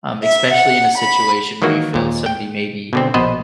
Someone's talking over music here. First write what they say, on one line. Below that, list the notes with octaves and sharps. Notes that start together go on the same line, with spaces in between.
Um, especially in a situation where you feel somebody may be
E5
F#5
B5
D#3 E3 F#3 A#3 F#4
D#2 A#2
G5
B2 D3 C4
A#1 B2 B3 B4 C5 D#5